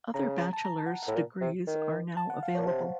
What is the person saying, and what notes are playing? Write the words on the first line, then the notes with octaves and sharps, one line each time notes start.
Other bachelor's degrees are now available.
C#3 A#5
A#5
A5
A#5
A5
F#5
A5
F#5
A2
A#2
C3
D#3
A5
F#5
F5
A#2 C#5
C3 C5